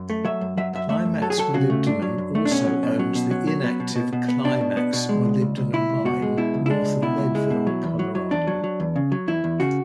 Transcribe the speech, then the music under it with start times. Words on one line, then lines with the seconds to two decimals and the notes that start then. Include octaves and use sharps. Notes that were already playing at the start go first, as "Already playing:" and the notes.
Climax Molybdenum also owns the inactive Climax molybdenum mine, north of Leadville, Colorado.
Already playing: F#2
0.10 A3
0.25 F#3 E5
0.41 F#2
0.57 F#3 E5
0.73 F#2 E5
0.89 A3 E5
1.05 F#2
1.22 F#3 A4
1.30 G#4
1.38 F#3 A4
1.54 C#3 F#4
1.70 A3
1.87 F#2 D4
2.02 F#3
2.18 F#2
2.35 A3
2.45 D4
2.51 B2 C#4
2.67 F#3
2.83 B2
2.99 F#3
3.15 B2
3.31 F#3
3.47 F#3
3.64 B3
3.80 B2
3.96 B2
4.13 B2
4.28 B3
4.44 B2 D4
4.61 B2
4.77 B3
4.93 B2
5.09 G#3
5.25 C#2
5.41 C#2
5.57 C#2
5.73 C#2 E4
5.89 C#2
6.05 B2 F#4
6.22 G#3
6.37 B2 E4
6.54 C#2
6.66 E4
6.70 G#3 D4
6.86 C#2
7.02 B2 E4
7.18 C#2
7.35 G#3
7.50 B2
7.67 F#3
7.84 E2
7.99 F#3
8.15 F#3
8.31 E2 D4
8.47 F#3
8.64 F#3
8.80 E2
8.96 C#3
9.12 F#3
9.27 E2 E4
9.44 E2
9.60 C#3 F#4